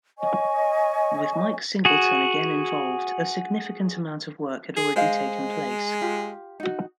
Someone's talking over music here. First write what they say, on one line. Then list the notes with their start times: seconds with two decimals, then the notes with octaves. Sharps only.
With Mike Singleton again involved, a significant amount of work had already taken place.
0.19 C#5 D#5 G#5 C#6
1.85 F#4 G#4
4.77 G#4
4.96 G#3 C5 D#5 F5
6.02 F4 G4
6.60 D#4 F#4